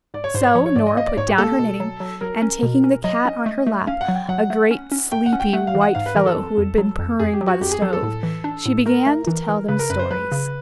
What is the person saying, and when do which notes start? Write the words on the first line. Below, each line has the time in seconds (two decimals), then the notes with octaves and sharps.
So Nora put down her knitting, and taking the cat on her lap, a great sleepy white fellow who had been purring by the stove, she began to tell them stories.
0.14 G#2 D5
0.24 C#5
0.34 G#2 C5
0.45 C#5
0.55 F3 C#5
0.66 C#5
0.76 G#2 D5
0.87 D#5
0.97 A#3 D#5
1.07 D5
1.17 G#2 C#5
1.28 G4
1.38 A#3 A4
1.59 B2
1.80 F#3
2.00 F#3
2.21 F#3 A#4
2.42 C#4
2.63 B2
2.84 C#4
3.04 F#3 D#5
3.25 C#4
3.46 A3
3.67 A3
3.87 C#4 F5
4.01 F#5
4.08 F#3
4.15 G5
4.29 F#3 F#5
4.50 A3
4.71 C#4
4.92 C#4
5.12 A3 G5
5.26 F#5
5.33 C#4
5.40 G5
5.53 A3 F#5
5.67 F5
5.75 E3
5.81 F#5
5.95 G#2 F5
6.06 B4
6.15 E3 A#4
6.26 A4
6.36 F2
6.58 F2
6.78 F#3
6.99 F2
7.20 F2 G#4
7.33 G4
7.41 F#3
7.47 F#4
7.61 F2 G4
7.71 G#4
7.82 F#3 A4
7.93 A4
8.02 A2
8.23 E3
8.44 D4
8.65 A2
8.86 A3 A#4
9.06 A3
9.27 E3
9.49 E3
9.68 C#3 B4
9.79 A#4
9.90 F#2 B4
9.99 C5
10.11 F#3 B4
10.32 C#3